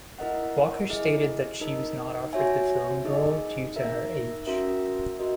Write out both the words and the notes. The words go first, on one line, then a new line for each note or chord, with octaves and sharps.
Walker stated that she was not offered the film role due to her age.
E4 A#4 D#5 F#5
E4 G#4 D#5
D#4 A#4 D#5
F#4 C#5 E5 G#5
D#4 G#4 D#5
D#4 A#4 E5
C#4 F#4 A#4 E5
F#4 A#4 D#5